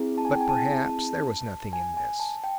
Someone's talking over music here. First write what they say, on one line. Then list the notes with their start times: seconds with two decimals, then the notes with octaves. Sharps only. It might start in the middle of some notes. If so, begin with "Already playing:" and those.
But perhaps there was nothing in this.
Already playing: C4 E4 G#4
0.18 A5
0.25 G#5
0.32 G5
0.41 G#5
0.49 A5
1.73 G#5
1.97 G#5
2.20 A5
2.44 G5